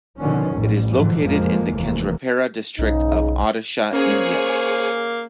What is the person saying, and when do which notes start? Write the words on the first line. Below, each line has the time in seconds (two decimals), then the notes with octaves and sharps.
It is located in the Kendrapara district of Odisha, India.
0.20 B2 D3 D#3 F3 C#4
0.55 A1 F2 G3
0.91 F2 G#2 D3 E3
1.23 F#1 F2 F3 G#3 A#3
1.70 F1 D#2 E3 A#3
2.79 B1 G#2 C#3 D#4
3.93 A#3 C#4 G#4 C5 C#5